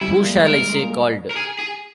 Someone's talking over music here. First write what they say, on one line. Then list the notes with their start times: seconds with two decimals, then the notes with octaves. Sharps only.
Who shall I say called?
0.01 G3 E4
0.13 G#3
0.24 A#3
0.36 G#3
0.46 A#3 A#4
0.57 G3
0.69 G#3
0.80 A#3
1.31 A#4
1.36 G#4
1.59 G#4